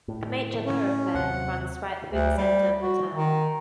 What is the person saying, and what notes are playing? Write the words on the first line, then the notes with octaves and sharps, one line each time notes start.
The major thoroughfare runs right through the center of the town.
A2
C#4
D#2 C3 F#3 F#5
D2
G3
F#4
D#3